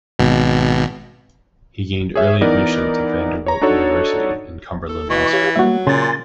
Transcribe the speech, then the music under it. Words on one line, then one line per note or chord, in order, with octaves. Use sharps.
He gained early admission to Vanderbilt University and Cumberland Law School.
G#1 B2
G#4 C#5 E5
E3 B3 D#4 A#4 D5
C#5 A#5
D4 D#4 F#4 A4 C#5
A4
B2 E3 C#6
G4 C#5 F5
F#3 G3 A#3 F#4 E5
A#2 C#3 G#5 C6 A6